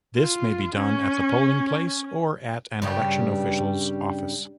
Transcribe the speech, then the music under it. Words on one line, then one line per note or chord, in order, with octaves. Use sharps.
This may be done at the polling place or at an election official's office.
F4
C#4
G2 C#3 G3